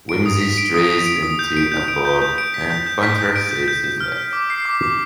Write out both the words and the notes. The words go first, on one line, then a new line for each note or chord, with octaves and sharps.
Wimsey strays into a bog, and Bunter saves his life.
D7
D#6
B6
D7
D#6
D#6
D7
D#6
G6
D7
G6
D7
G6
G6
D7
B6
G6
G6
B6
G6
D7
G6
G6
G6
F6
F6
D6
C7
D6
D6